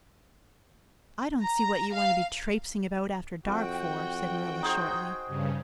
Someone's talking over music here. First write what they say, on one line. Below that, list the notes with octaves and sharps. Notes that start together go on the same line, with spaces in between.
"I don't see what you want to be traipsing about after dark for," said Marilla shortly.
A#5
F5
F2 F#4 G5
D#4 G#4 C5
G2 C#3